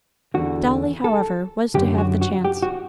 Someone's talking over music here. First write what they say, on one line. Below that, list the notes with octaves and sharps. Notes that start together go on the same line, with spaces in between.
Dolly, however, was to have the chance.
E2 D3 F#4
A4
F#2 D3 G4
F#4
F#4
G4
F#4